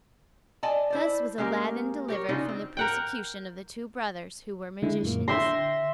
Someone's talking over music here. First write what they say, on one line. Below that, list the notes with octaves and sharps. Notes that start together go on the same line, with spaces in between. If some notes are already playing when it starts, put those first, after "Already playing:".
Thus was Aladdin delivered from the persecution of the two brothers, who were magicians.
D5 D#5 G#5 A5
E4 C5 D5
G#3 A#3 C#4 G4 A#4
G4 A#4 C#5
C#3 D4 D#4 F4 F#4
C4
A#4 F#5 G5
D3 G#3 E4
F#2 A#2 A#3
D3 E5 G5 C6 A#6